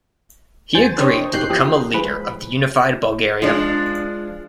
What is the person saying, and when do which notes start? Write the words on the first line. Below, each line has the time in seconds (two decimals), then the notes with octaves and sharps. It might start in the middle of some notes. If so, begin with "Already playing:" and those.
He agreed to become a leader of the Unified Bulgaria.
0.75 E2 C5 G#5 A6
0.98 D4 G4 A#4 C5 C#5 D#5
1.33 F#2 D#4 G4 F#6 G6 C7
1.49 E2 F3 A#3 G4 D#5
1.94 G#1 F3 G#3 B4 B5
3.42 F3 G#3 D4